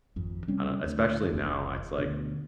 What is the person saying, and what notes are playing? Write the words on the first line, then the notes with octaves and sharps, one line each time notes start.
I don't Especially now, it's like,
G#1 F2
C3 G3 C4 C#4
D2
F1
D2 B2 D3